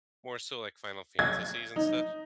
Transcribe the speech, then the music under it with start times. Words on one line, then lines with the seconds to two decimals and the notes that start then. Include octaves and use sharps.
more, so, like, Final Fantasies and stuff.
1.19 G#6
1.76 D#4